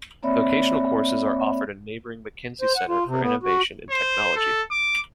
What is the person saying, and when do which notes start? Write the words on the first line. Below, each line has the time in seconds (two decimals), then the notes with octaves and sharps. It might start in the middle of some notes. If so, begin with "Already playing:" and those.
Vocational courses are offered in neighboring McKenzie Center for Innovation and Technology.
0.23 A#3 C4 C#5 D5 E5 B5
2.61 C5
2.76 F#5
2.89 F4
3.07 C3
3.21 B3
3.43 F#4
3.91 C5
4.36 A4
4.71 D6